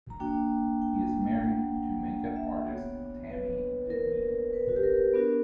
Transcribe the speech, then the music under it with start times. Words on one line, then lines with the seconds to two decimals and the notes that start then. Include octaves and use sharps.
He is married to makeup artist Tammie Dineen.
0.10 A#5
0.20 A#3 D4 F#4 G5
0.82 G5
1.44 F#5
1.75 G5
2.06 F#5
2.36 E5
2.67 B3 F#4 C#5
3.29 B4
3.90 A#4
4.53 B4
4.69 F#4
4.76 G4
4.83 A#4
5.14 B3 D4 F#4 A#4